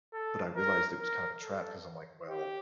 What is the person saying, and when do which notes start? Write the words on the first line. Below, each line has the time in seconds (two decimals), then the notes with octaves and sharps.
but I realized it was kind of a trap 'cause I'm like, "Well,
0.13 A4
0.56 A#4
0.99 A#4
1.42 A4
2.29 G4